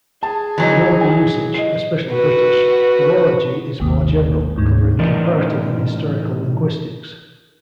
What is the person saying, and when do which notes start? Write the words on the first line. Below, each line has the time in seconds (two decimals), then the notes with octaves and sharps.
In older usage, especially British, philology is more general, covering comparative and historical linguistics.
0.23 G#4 A5
0.58 E3 F#3 D#4
1.01 G#5
1.54 D#5 C7
2.12 F#4 B4
3.80 G#1 D#2
4.57 D2 G#2
4.99 A2 E3 C#4 D#4 A#4 D5